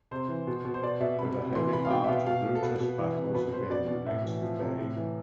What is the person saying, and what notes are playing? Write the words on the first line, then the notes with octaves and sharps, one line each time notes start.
With a heavy heart, Brutus battles again the next day.
C3 C5
E3
B2
B2
C5
B2 D5
B2 E5
C3 B5
C3
E3 C6
C3 B5
F5
B2 G5
E5
B2 F5
B2 F5
B2
A4
B2 B4
B2
E3
C3
B2 B4
B2 C5
B2 D5
B2
A2 E5
E3
F3
C3
A2
E3